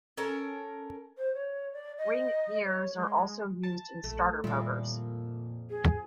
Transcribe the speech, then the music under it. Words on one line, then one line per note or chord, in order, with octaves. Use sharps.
Ring gears are also used in starter motors.
C#4 A4 A#4 A5
C5
C#5
D5
D#5
C#5
G#3
A5
A#1 A3
F2 A#2 D#3 G3 E4
G#4